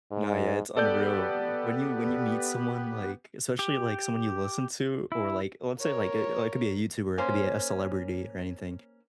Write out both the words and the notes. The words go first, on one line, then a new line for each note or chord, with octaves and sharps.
Nah, yeah, it's unreal, w when you when you meet someone, like especially, like, someone you listen to, or, like, let's say, like, eh, like could be a YouTuber, it could be a celebrity or anything.
G#2
B3 G4 A4 B4 D5 G6
G4
E4
A#4 C#5
A#3 C#4 C5